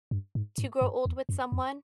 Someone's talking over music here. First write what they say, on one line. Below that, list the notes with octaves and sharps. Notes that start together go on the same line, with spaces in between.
to grow old with someone,
G2
G#2
G#2
G2
E2
F#2
F2